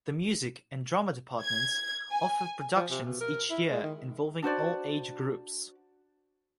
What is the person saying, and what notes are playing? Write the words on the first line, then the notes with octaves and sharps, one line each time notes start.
The Music and Drama departments offer productions each year involving all age groups.
G#6
G#5
F3
C3
B2
A#4
E4
G#3
D#3
D4 F#4 C5 D5